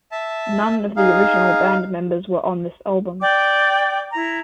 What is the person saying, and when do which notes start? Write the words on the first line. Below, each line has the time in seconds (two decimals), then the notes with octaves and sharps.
None of the original band members were on this album.
0.12 E5 A5
0.96 D#4 G#4 F5
3.21 D5 G5 D6
4.13 E4 A#5